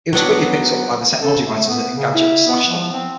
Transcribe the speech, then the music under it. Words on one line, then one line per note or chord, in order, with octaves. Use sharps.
It was quickly picked up by the technology writers at Engadget and Slashdot.
F#3 B3 D4
A4
A3
B3
C#3
E4
B3
F3
C4